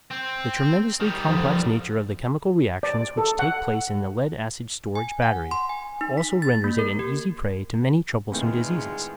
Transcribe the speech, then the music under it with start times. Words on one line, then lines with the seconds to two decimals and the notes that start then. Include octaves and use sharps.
The tremendously complex nature of the chemical reactions which take place in the lead-acid storage battery also renders it an easy prey to many troublesome diseases.
0.11 C4
1.00 D#3 G3
1.27 D2 F3
2.83 D5
3.17 A4
3.39 F#5
4.95 G#5
5.22 F#5
5.51 C6
5.69 G#5
6.01 D#4
6.17 B6
6.42 A6
6.64 A#3
6.79 A#4
6.99 G4
8.32 E2 A2 D#3 G#3 B3 C4 F4